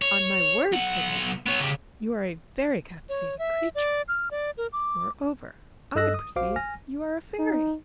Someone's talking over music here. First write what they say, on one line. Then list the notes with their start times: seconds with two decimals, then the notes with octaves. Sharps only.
"On my word," said he, "you are a very captivating creature; moreover, I perceive you are a fairy."
0.02 C#5
0.72 B1 F#5
1.47 B3 C#5
1.60 C#3 G4
3.09 C#5
3.39 E5
3.75 D5
4.08 F6
4.31 D5
4.57 A#4
4.73 D6
5.95 G2 A4 D#5 E6 F#6 A#6
6.14 D#6
6.36 A#1 F#4 C5 F5 D6
6.56 G#5 F6 A#6
7.39 D#4